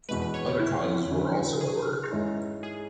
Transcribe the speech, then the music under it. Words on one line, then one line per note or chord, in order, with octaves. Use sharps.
Other causes were also at work.
E2 B2 G#3 B4
B4
C#5
C#5
E4
D3 F#3 C#4 E4
G#4
G#2 G#3 C#4 E4
G#4